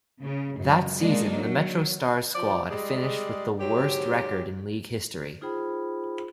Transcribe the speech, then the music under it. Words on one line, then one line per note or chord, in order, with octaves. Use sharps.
That season the MetroStars squad finished with the worst record in league history.
C#3
C#2 F#2
G#3 A#3 D4 D#4
F#3
F3 D5
G3 G#3 G#4 D5
G#2 F#3 G4
D#4 F4 G#4 C5 G5 B5